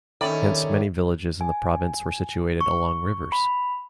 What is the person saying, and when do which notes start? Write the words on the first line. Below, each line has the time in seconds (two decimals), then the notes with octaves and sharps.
Hence many villages in the province were situated along rivers.
0.21 D#2 D#3 C#4 A4 D5 E5 B5
1.41 G#5
2.61 C#6
3.32 B5